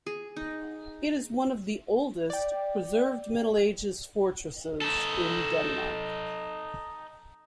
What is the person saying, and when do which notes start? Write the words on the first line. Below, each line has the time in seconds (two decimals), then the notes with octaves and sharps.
It is one of the oldest, preserved Middle Ages fortresses in Denmark.
0.06 G#4
0.36 D#4
2.30 D5 G5
4.82 D#4 A4